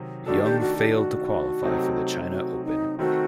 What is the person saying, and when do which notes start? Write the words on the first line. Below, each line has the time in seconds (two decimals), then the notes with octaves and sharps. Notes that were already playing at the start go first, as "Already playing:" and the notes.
Young failed to qualify for the China Open.
Already playing: C3 D#3 F#3 C4 D#4
0.26 D#3 A3 D4 F#4 A4
0.44 G4
0.61 F#4
0.78 G4
0.89 D#4
0.95 F#4
1.63 C3 F#3 A3 C4 D#4
2.31 F#4
2.65 D#4
2.99 D#3 A3 C4 F#4